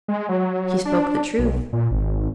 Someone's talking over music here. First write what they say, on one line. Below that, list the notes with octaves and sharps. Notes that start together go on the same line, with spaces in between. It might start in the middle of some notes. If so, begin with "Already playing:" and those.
She spoke the truth.
G#3
F#3
D4
B1
A#2
G#1